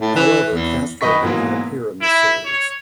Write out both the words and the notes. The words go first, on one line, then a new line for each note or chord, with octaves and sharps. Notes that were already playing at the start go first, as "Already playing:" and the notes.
However, Castro did not appear in the series.
A2
E3
E2
F#2 D#3 B4 D#5 C#6 B6
G#2 B2 E3 F#3 A#3
E4
C#5